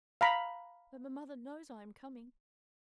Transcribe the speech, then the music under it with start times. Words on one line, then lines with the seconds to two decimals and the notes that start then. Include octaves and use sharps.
But my mother knows I am coming?'
0.21 F5 A#5 B5